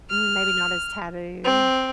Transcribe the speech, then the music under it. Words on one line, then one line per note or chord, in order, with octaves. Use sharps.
Mm, maybe not as taboo.
F6
C4